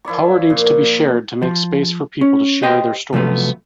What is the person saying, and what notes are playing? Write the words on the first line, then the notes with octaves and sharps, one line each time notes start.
Power needs to be shared to make space for people to share their stories.
F3 E4 D5 C#6
A#2
F3
C#4
G4 C5 D#5 G5
C3 F3 F#3 A3 B3